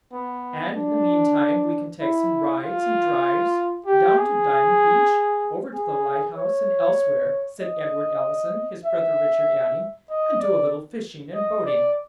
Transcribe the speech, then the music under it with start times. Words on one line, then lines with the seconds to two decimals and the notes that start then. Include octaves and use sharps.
"And in the meantime we can take some rides and drives,--down to Diamond Beach, over to the light-house, and elsewhere," said Edward Allison, his brother Richard adding, "and do a little fishing and boating."
0.12 B3
0.75 D4
2.00 E4
2.62 F4
3.86 G4
4.17 G#4
5.73 G#4
6.35 C#5
7.60 D#5
8.85 E5
10.10 D#5
10.40 D5
11.34 D#5
11.66 D5